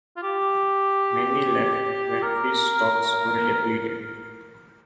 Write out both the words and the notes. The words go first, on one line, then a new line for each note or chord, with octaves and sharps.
Many left when fish stocks were depleted.
F4
G4
A#4